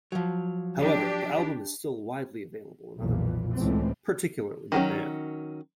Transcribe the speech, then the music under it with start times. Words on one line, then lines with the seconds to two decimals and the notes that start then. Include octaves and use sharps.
However, the album is still widely available in other markets, particularly Japan.
0.12 F3 F#3
0.78 D4 G4
3.00 B1 F2 A#2 E3 F3
3.57 C#2 A2 E3 A3 C4
4.72 D#3 F#3 C#4